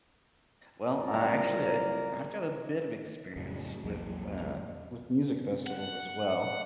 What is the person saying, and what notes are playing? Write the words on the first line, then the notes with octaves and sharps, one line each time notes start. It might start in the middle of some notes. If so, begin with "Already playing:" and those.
Well, I actually, I I've got a bit of experience with, uh, with music festivals as well,
F#1 C2 F4 A#4 D5 A#5
F2 A2 C#3 F#3
A#1 E2 F#3 A#3
F#5